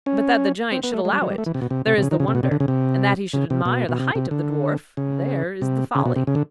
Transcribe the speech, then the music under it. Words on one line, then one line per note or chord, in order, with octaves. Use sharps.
But that the giant should allow it, there is the wonder; and that he should admire the height of the dwarf, there is the folly.
C#4
C4
B3
A3
G#3
G3
F#3
G3
A3
E3
C3
B2
C3
C3
C3
C#3
D#3
C#3
C3
B2
C3
D3
C#3
C3
C#3
C3
B2
B2
C3
C3
D3
C#3
C3
C#3
B2
C3
C#3
D3